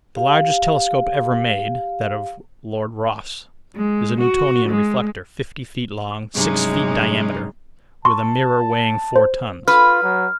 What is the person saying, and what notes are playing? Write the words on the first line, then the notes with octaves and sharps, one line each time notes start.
The largest telescope ever made, that of Lord Rosse, is a Newtonian reflector, fifty feet long, six feet diameter, with a mirror weighing four tons.
G4 F5
G#3
F#4
G#3
G2 C3 F#3 G#3 C#4 D#4
A5 C6 C#6
C5
F4 B4 F6
F#3